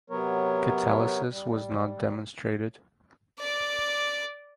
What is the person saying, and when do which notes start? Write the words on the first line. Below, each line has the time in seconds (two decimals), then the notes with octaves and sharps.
Catalysis was not demonstrated.
0.10 C3 F#3 B3 A#4 C#5
1.31 G3
3.39 D5 D6